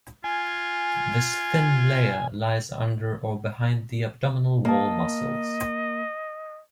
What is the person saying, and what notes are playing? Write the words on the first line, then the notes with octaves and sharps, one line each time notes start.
This thin layer lies under or behind the abdominal wall muscles.
F4 G#5
A#3 D#5 A5